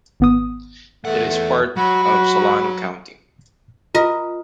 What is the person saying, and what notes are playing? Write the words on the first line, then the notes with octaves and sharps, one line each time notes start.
It is part of Solano County.
G#1 B3 D#6
E2 A3 F#5
F#3 F#4 B5
F#4
F4 A#4 D#5